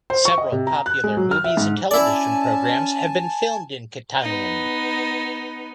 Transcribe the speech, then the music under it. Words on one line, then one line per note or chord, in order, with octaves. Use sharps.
Several popular movies and televisions programs have been filmed in Kittanning.
C5
C#6
D#5
C3
A#5
F#6
G#3
F#3
F6
E5
G#2
C#4 E4 D5 G#5 A5
B3 D#4